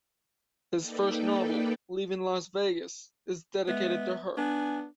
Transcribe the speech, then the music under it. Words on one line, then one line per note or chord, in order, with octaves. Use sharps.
His first novel, "Leaving Las Vegas", is dedicated to her.
A#3 D#4 A4 B4 D5 G5
G#3 B3 E5
B3 D4 G#5